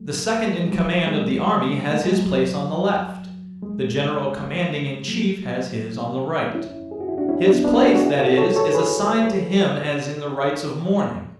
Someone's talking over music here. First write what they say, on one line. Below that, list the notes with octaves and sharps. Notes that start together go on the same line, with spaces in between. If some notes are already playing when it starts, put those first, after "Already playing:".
The second in command of the army has his place on the left; the general commanding in chief has his on the right;--his place, that is, is assigned to him as in the rites of mourning.
Already playing: F#3 A3
G#3
F#3
G#3
A3
G#3
F#3
G#3
F#3 A3
C#4 E4
G#4
F#4
E4
D4 F#4
C#4 E4
B3 D4
B3 D4
D4 F#4
F#4
E4 G#4
F#4 A4
A4 C#5
A4 C#5
G#4 B4